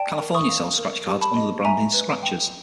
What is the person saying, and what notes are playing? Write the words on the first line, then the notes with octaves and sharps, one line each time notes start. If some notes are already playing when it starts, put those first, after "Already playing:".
California sells scratch cards under the branding "Scratchers".
Already playing: D5 G5 A5
A#4
C#6 D#6
F5
A#4
G4
A5 B5
D#5
E5 G#5 A#5
B4
G5